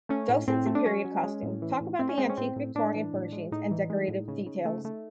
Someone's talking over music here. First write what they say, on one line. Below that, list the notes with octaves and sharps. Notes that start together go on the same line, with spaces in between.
Docents in period costume talk about the antique Victorian furnishings and decorative details.
A3 C#4
A2
A2 C4
A3
D4
F#3 C#4
F#3
G#3
A2
E3
A2
A2 C4
C#4
G#3 C4
C#4
A2 C4
A2
A2 D4
E3
A2
G#3
A2 D#4
E3
G#3
A2
C#3
C#3
A3
A3